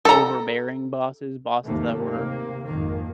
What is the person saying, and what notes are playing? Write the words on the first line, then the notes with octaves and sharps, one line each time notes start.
overbearing bosses. Bosses that were
A4 A#5
D#2 G#2 C3 D#3 A3 A#3
C3 A#3
G#1 F2 D#3 A#3